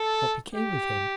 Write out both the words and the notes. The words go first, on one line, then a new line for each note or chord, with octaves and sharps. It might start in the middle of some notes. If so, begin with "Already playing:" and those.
What became of him?
Already playing: A4
G4